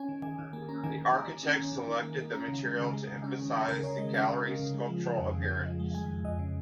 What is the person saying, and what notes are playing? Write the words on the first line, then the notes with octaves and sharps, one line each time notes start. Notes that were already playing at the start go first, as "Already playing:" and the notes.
The architects selected the material to emphasise the gallery's sculptural appearance.
Already playing: C#4 G#5
D#3
D#3 G#5
D#3
A#3 G#5
C#4 A#5
D#3 G#5
D#3 A#5
D#3 A#5
D#3
C#4
C#4
D#3
D#3
A#3
A#3
C#4 A#5
C#3
G#3
C#3
G#3
C#3
C#4
C#4
C#4 A#5
C#3 A#4
C#3 C#5
G#3 D#5
C#4 F5
C#3
C#4
C#3
G#3
F3
C#3
F2
C#3
C#3
F3
G#3
G#3 G#5
F2
F2 D#5
C#3